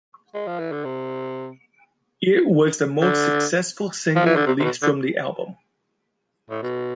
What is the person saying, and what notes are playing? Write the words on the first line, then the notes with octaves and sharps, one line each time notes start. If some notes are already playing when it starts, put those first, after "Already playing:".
It was the most successful single released from the album.
G#3
F3
E3
D3
C3
D3
F3
E3
D3
C3
C3
B2
D3
A2
B2